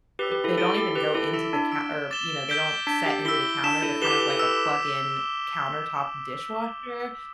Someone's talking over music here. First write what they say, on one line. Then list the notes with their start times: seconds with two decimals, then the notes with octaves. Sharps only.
eh, they don't even go into the ca or, you know, they don't set into the counter. They're kind of like a plug in countertop dishwasher.
0.19 G4 B4 E6 B6 G7
0.31 G4 B4
0.44 E4 A4
0.57 E4 A4 A6 D7 G7
0.77 G4
0.95 G4 B4 D6 B6 G7
1.14 E4 A4
1.34 E4 E6 B6 E7
1.53 D4
1.72 E6 B6 D7
2.11 D6 A6 E7 G7
2.49 E6 G6 B6 D7 G7
2.87 D4 E6 B6 D7
3.06 G4
3.25 E4 E6 B6 G7
3.63 D4 E6 B6 E7
3.82 E4 A4
4.02 G4 B4 D6 B6 E7 G7
4.11 E4 A4
4.20 G4 B4
4.30 E4 A4
4.39 B4 E6